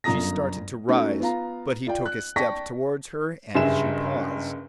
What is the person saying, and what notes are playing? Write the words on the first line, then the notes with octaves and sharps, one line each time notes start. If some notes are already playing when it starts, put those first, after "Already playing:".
She started to rise, but he took a step towards her and she paused.
G1 F#2 F4 A#5 D#6 A#6
A3 C#4 D#4 F#4
B3 F4 F5 A#5
F4 D5 G5
F#6
D5 G5 A5 C#6 A#6 B6
F#1 G2 G#4 E5 E7